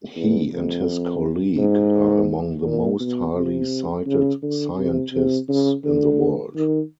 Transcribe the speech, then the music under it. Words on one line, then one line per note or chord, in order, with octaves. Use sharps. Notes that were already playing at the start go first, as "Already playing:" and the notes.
He and his colleague are among the most highly cited scientists in the world.
E2
F2
G#2
A#2
B2
C3
C#3
D3
C3
C3
C#3
D3
D#3